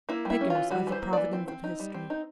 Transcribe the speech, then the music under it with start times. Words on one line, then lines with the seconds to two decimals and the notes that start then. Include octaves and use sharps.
Figures are the providence of history.
0.09 A#3 E4
0.25 G3 E4
0.41 C#4
0.50 E3 F4
0.70 G3 F#4
0.87 E3
0.92 C5
1.02 A#3
1.13 E3 D5
1.33 C4
1.48 C4
1.64 D#4
1.80 G3
1.94 C4
2.10 D#4